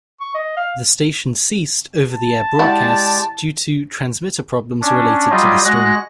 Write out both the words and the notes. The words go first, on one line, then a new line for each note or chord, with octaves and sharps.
The station ceased over-the-air broadcasts due to transmitter problems related to the storm.
C#6
D#5
F5
A5
G#3 E4 F#4 G4 D5
C#4 D4
F#3 G3 F4 G4 D#5
G#3 F#4 F#6 A#6